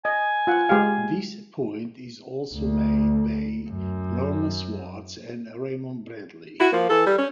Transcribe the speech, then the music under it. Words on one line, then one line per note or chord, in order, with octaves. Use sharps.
This point is also made by Norman Swartz and Raymond Bradley.
D#5 G#5
F4 F#5
G#3 G4 F5
D2
F#2
E4 F#4
F3 A#3
E3 A4
G3
C#4